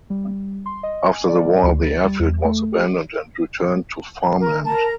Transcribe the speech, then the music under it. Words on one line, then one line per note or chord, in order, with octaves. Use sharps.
After the war the Airfield was abandoned and returned to farmland.
G3
C6
D#5
G#5
D5
D2
A6
G3
E2
A3
G4
A#4
A#4 A5 A#5